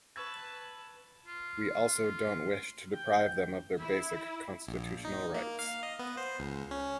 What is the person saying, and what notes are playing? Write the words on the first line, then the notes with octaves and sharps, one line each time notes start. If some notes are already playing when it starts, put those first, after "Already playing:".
We also don't wish to deprive them of their basic constitutional rights...
B4 A5 C#6 E6 G#6
F4
G5
E4
A#1
D#4
A#3
F5
D#5
B3
C5
C#2
C#4